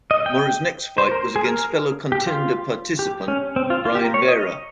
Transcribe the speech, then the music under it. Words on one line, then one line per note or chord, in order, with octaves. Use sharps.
Mora's next fight was against fellow Contender participant Brian Vera.
D#5
G5
C5
A#4
G#4
A#4
G4
F4
G4
C#4
C4
F4
F4
G4
A#4
C#5
D#5